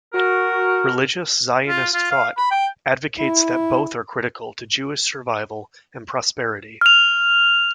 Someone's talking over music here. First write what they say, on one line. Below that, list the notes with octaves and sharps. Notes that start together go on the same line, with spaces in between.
Religious Zionist thought advocates that both are critical to Jewish survival and prosperity.
F#4 A#4
F4
F4
F5
B5
G5
E4
F6 F7